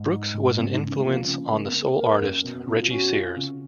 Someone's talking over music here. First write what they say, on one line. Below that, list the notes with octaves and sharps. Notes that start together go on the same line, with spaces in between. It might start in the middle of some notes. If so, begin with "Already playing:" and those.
Brooks was an influence on the soul artist Reggie Sears.
Already playing: G#2
D#4
G#2
C#3 B3
D#4
C#3
C#4
G#3
F3 A#3
C#3
G#3 A#3
C#4
B3
A#3
G#4
A#3 A#4
F#2
B2
B3
B2 C#4
D#4
F4
C#4 F#4
F4
C#3